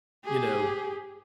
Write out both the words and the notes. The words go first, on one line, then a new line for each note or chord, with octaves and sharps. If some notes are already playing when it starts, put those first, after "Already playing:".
you know,
G4 G#4